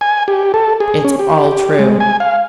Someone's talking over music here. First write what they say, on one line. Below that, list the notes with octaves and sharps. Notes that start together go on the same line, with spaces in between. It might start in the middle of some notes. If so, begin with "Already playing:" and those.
"It's all true."
G#5
G4
A4
G#4
C#4
G4
G#3
G#5
F5